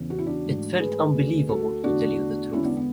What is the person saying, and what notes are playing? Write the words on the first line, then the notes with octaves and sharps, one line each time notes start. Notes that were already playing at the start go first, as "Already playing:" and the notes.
It felt unbelievable, to tell you the truth.
Already playing: E2 C#3 E3
F#4
E4
D4 F#4
G#2 E3 A3
G#4 B4
D2 D3 A3
F#4 A4
E2 D3 A3 D4 F#4
E2 D3 G#3 C#4 E4
B3 D4
B3